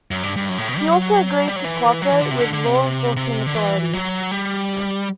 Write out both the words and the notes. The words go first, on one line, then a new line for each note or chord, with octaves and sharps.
He also agreed to cooperate with law enforcement authorities.
F#2
G2
G2
F#2
A2
B2
G3
F#3
G3
F#3
E3
F#3
E3
D3
C3
D3
D3
C3
C3
D3
E3
F#3
G3